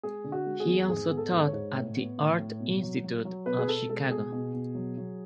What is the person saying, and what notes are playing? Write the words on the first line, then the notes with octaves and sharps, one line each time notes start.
He also taught at the Art Institute of Chicago.
G#3 G#4
D3
F#4
G#3
G#4
E2
G#2 G#4
B3
A4
G#2
C#5
G#2
A2
B3
A2
A2
B2
F#3
F#3
F#3
B2 B4
G#4
B2 A4
G#3 A4
B2 G#4
B2
B2
F#3
F#3